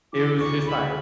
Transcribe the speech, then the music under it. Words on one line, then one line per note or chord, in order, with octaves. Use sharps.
it was just, like,
E3 D6
D2 C#6
C#3 B5